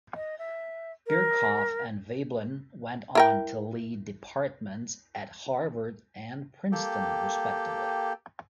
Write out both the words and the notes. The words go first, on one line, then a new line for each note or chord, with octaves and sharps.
Birkhoff and Veblen went on to lead departments at Harvard and Princeton, respectively.
D#5
E5
A#4
E4 A#4 G5
A#3 G4 A4 G5